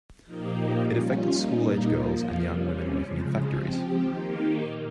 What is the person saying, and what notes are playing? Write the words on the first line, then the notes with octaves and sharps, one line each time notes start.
It affected school-age girls and young women working in factories.
A#2 F3 A#3 D#4 G4
G3 C#4 F4
A#2 G3 A#3 D#4
F3 A#3 F4
C3 G3 C#4
C#3 F3 G#3
F3 C4 G4
D#3 A#3 D#4 G4
A#2